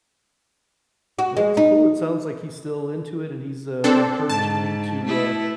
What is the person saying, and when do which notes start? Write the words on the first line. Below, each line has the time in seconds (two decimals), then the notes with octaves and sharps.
Well, that's cool it sounds like he's still into it, and he's, uh, encouraging you to, uh,
1.19 F#4
1.37 G#3
1.57 D#4
3.84 C4 D4 A4
4.30 G#2 A5
5.05 A3 E4